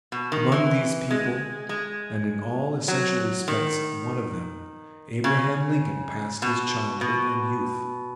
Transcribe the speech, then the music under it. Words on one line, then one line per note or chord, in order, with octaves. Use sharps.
Among these people, and in all essential respects one of them, Abraham Lincoln passed his childhood and youth.
B2
D#3
E3
G#3
G#3
F#3
D#3
C#3
B2
B2